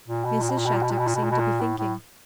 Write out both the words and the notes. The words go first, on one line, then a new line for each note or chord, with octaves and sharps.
Mrs. Shattuck seemed to be thinking.
A#2
B2
A#2
B2
A#2
B2
A#2
B2
A#2
B2
A#2
B2
A#2
B2
A#2
A2
A2